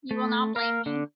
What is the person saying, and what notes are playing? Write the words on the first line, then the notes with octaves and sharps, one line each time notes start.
You will not blame me.
A3
A#4 F5
D3 D4